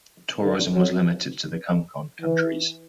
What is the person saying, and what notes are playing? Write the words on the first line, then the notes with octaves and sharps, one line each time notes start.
Tourism was limited to the Comecon countries.
D3
F#3
E3